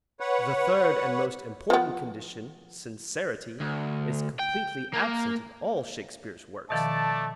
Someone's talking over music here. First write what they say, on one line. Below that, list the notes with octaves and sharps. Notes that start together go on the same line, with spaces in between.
The third and most important condition, sincerity, is completely absent in all Shakespeare's works.
B4 C#5 F#5
F3 B3
D2
G5
A#3
B2 D#3 F3 A3 D5 A5